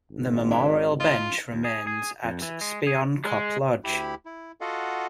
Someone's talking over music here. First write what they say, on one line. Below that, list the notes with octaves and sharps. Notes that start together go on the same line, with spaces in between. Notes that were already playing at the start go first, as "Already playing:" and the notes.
The Memorial bench remains at Spion Kop Lodge.
G#1
E3 C#4 D4
A#2 F4 D#5
D#2
G#4
G#4
F2
E3
G#3
G#4
G#3
D2 E4 G4 B5
E4
F4 F#4 A4 D#5 F5 F#5